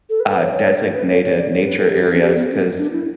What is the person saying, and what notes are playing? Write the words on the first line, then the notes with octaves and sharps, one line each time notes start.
uh, designated nature areas 'cause,
A4
B4
B4
C#5
C#5
B4
C#5
C#5
D5
C#5
B4
A4
G4
F#4
C#4
G4
B3
C#4
D4
E4